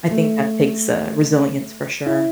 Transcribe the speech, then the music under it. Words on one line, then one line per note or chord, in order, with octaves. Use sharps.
I think that takes, uh, resilience for sure.
A3
E4